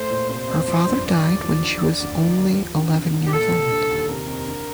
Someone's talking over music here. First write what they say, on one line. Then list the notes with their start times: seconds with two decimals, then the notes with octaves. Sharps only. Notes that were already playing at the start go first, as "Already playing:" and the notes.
Her father died when she was only eleven years old.
Already playing: A2 A3 C5
0.10 A#2
0.29 C3 C5
0.48 F2
0.68 F3
0.87 G2
1.05 D3 D5
1.24 D#2
1.43 F3
1.62 D3
1.80 D3
2.00 D2
2.19 D#3
2.37 D#2
2.57 F3
2.75 D3
2.94 C3
3.14 C2
3.26 G4
3.33 A#2 A4
3.51 C2
3.71 D3
3.89 D#2
4.08 C3 A#4
4.27 F2
4.46 D3